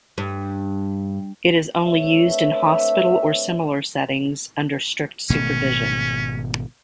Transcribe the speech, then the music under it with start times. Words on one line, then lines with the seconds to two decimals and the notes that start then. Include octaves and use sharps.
It is only used in hospital or similar settings, under strict supervision.
0.18 G2
1.84 A3 C4 D4 B4 C#5 E5
5.30 G#1 B2 A3 C#4